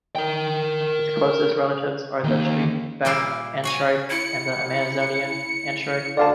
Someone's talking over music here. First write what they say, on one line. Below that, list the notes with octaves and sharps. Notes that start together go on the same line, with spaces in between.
Its closest relatives are the streak-backed antshrike and the Amazonian antshrike.
A#4 G5
D#3 A#3
A#2 G3 E4 G4 F5
F#4 C#5 G#5
E4 C#7
D2 D3 D5 F5 A5